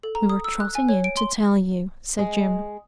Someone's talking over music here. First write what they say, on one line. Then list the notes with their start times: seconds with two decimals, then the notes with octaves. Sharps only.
"We were trotting in to tell you," said Jim.
0.03 A4
0.15 A#5
0.29 D#6
0.44 E6
0.60 F#6
0.75 G#5
0.89 C#5
1.04 D7
1.17 C6
2.19 G#3